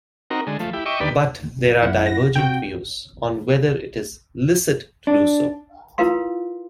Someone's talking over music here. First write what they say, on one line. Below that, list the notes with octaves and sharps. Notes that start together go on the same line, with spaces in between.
But, there are divergent views on whether it is licit to do so.
C4 D#4 F#4 A#4
D3 G#3
F3 A3
E4 G4
D#5 E5 G5 C#6 D6
D#2 D3 G4 B4 D5
F#2 E4 F#5
A#6
C3 F#4 G5
D4
E4 F4 A#4 B4 F5 C6